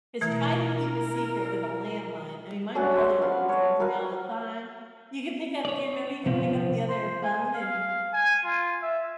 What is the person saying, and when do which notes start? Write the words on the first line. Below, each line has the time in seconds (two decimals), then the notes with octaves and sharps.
Just try to keep a secret with a landline, I mean, my brother was listening to me all the time. You could pick up do you remember you could pick up the other phone and
0.21 B2 E3 A3 E4 A#4
2.75 A3 C#4 D4 F#4
2.96 C4
3.21 B3 F5 F#5
3.49 C#5
3.79 F#4 A#4 B4 F5
5.65 C#5 D5
6.26 C3 F3 B3 C4
6.89 C5
7.23 G#5
7.54 F5
8.13 G#5
8.44 F4
8.82 E5